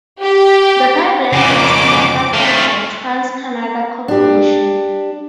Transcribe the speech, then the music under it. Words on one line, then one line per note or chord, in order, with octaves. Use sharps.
The pipeline was constructed by Trans Canada Corporation.
G4
F2 C#3 D6
A3 F4
D4 G4